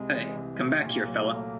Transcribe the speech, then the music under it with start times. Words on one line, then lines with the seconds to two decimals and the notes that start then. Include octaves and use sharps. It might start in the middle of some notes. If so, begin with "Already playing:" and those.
Hey, come back here, fella!
Already playing: C2 C3 G#3
0.12 E3
0.36 C2
0.55 G#3
0.59 C2 A3
0.74 A3
0.82 A#2
0.89 A#3
1.06 F#3
1.28 A3